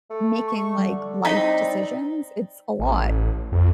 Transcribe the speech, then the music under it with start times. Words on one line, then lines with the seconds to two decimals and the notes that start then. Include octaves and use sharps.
making, like, life decisions it's a lot.
0.11 A3
0.48 C#6
0.78 D3 G3
1.25 D#4 E4 B5
1.37 C4 D5
2.80 A1
3.52 F2